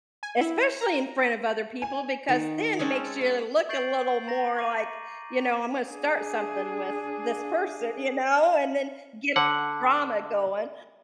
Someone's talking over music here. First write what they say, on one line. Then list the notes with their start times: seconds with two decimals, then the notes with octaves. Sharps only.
Especially in front of other people because then it makes you look a little more like, you know, "I'm gonna start something with this person," you know, and then get a little drama going.
0.23 G#5
0.41 E4
0.81 A#5
1.82 G#5
2.29 D#3
2.79 G#3 C4 C#4 A4
3.21 F5
3.69 C#6 G6 A6 C7 D7 F#7
4.28 A#5 A#6
4.57 C#6 D6 D#7
5.87 D4 G#4
9.36 D3 F#5